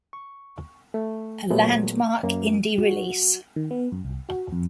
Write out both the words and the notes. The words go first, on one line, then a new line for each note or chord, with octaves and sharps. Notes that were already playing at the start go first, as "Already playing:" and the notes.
A landmark indie release.
C#6
A3
A#2 F#3 G#3 A3 B3
F#2 A#3
F#4
D#3
B3
F#2
C2
F#4
F2